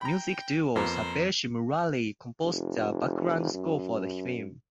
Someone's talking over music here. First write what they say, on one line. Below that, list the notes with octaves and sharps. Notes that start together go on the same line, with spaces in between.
Music duo Sabesh–Murali composed the background score for the film.
G5 A#5 B5
F2 A#3 B3 F4 C5 A#5
F1
F#2